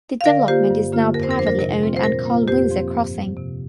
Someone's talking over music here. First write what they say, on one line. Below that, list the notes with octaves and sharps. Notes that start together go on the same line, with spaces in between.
The development is now privately owned and called Windsor Crossing.
F5
D3 A#4 D5
A#3 F4 G4 C5
G2
D3 A#3 F4
F2 A#4
C5
A#4
F3 D4 C5
A#4
C3 A#4
G3 C4 F4
C5
A#2 A#4
A#3 F4
F2 G4 C5
F3 C4
G2
F3 C4
C3